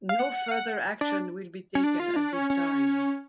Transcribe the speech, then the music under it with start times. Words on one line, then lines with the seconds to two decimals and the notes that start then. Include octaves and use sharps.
No further action will be taken at this time.
0.09 F5
0.19 F#5
0.48 F5
0.51 F#5
1.01 D4
1.75 C#4
1.84 D4
1.99 F4
2.16 D4
2.33 C#4
2.50 C#4